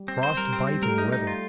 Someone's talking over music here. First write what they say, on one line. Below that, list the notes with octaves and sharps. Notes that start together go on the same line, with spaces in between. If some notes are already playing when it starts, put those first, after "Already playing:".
Frostbiting weather!
Already playing: G3
C4
C5
G3 A#4
C4
G3
C4
G3
A3 A#4
D#4
D#4
F4